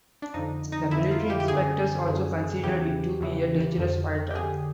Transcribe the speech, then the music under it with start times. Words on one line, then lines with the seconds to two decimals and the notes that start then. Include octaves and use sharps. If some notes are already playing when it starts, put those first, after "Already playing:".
The military inspectors also considered it to be a dangerous fire trap.
0.22 D4
0.34 F2 D3 D#4
0.72 D#4
0.91 F2 D3 E4
1.11 F4
1.30 G4
1.40 G4
1.48 F#2 D3 G#4
2.06 F#2 D3
2.63 E2 C#3 E3 G4
3.21 E2 C#3 E3
3.78 F2 D3
4.30 G4
4.35 F2 D3 G#4